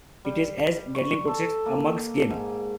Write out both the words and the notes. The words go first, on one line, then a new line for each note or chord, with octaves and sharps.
It is, as Gadling puts it, a mug's game.
G3
C#6
A4
A#3
G#2